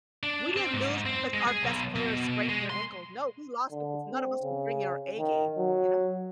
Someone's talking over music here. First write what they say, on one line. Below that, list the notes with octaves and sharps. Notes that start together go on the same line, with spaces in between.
we didn't lose because our best player sprained her ankle no, we lost because none of us were bringing our A game, you know?
D4
C4
G#2
G#2
C4
G#3
G#4
B1
B2
G#3
C6
D3
C4
C#3
D#3
F#3